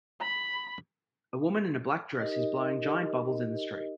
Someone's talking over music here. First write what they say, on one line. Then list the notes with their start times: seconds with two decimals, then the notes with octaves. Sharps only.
A woman in a black dress is blowing giant bubbles in the street.
0.21 B5
2.19 D#4 G4 A#4 D#5